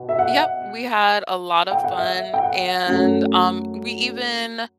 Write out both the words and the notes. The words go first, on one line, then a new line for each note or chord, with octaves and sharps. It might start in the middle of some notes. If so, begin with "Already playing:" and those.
Yep, we had a lot of fun and, um, we even
Already playing: B2
E5
F#5
G5
F#5
E5
G5
F#5
F#2 F#3 A3